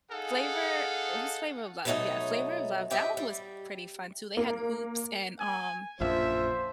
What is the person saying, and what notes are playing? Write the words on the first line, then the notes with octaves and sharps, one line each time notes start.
Flavor it was Flavor of Love, yeah, Flavor of Love, that one was pretty fun, too. They had Hoops, and, um,
D#4 G#4 A4 F5 F#5
B2 F#3 A3 D#4 C#5 D#5
E4 F#4 G4 D#5 E5
G3
A#3
G#5
A#1 F#2 F3 C5 E5